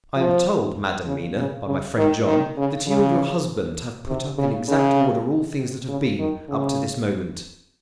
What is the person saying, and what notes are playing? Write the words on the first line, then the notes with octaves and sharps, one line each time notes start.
"I am told, Madam Mina, by my friend John that you and your husband have put up in exact order all things that have been, up to this moment."
F3
C#3
C#3
C#3
D#3
D#3
C#3
C#3
C3
C#3
C#3
C#3
D#3
C#3